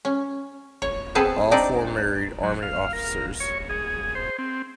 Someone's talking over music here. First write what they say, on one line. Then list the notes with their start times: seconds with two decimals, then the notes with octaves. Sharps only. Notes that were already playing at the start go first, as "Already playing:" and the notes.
All four married army officers.
0.05 C#4
0.82 C#5
1.15 B3 C4 G#4 A4 B4 A5
1.51 C4 D4 D#4 D5
2.43 F#3
2.62 F5
2.93 A#4
3.40 C#5
3.69 G#4
4.15 C5
4.38 C4